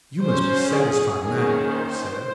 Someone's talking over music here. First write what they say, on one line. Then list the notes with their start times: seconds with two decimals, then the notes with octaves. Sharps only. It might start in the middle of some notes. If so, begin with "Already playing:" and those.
"You must be satisfied now," he said.
0.22 F#3 C#4 C5
0.72 G#4
1.21 D#3 A#3 C#4 G#4
1.71 C5